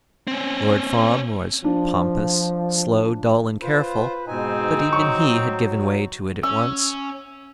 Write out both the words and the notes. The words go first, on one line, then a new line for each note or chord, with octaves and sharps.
Lord Fawn was pompous, slow, dull, and careful; but even he had given way to it at once.
C4 C#4
F3 D4
F4 B4 C5
G#2 B2 C4 D#4 G#5
F#3 C#6
C#4 E6